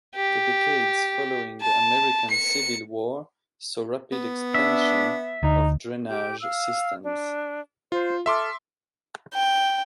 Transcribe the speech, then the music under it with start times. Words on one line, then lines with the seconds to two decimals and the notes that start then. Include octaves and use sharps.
The decades following the American Civil War saw rapid expansion of drainage systems.
0.16 G4
1.61 A5
2.30 C#7
4.12 B3
4.54 D4 E5
5.43 D2 D#4
6.09 G4 G5 G6
6.41 F5 E6 F6
7.02 D4
7.92 F4 C5
8.26 A4 E5 C6 D6 F6
9.34 G5